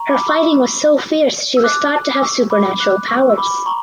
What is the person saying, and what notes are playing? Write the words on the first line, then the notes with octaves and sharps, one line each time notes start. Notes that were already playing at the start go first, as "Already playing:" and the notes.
Her fighting was so fierce she was thought to have supernatural powers.
Already playing: A#5 C#6
B5 D6
C#6 E6
E6
D6 F#6
D6
C#6 E6
B5 D6
D6 F#6
C#6 E6
E6
B5 D6
A#5 C#6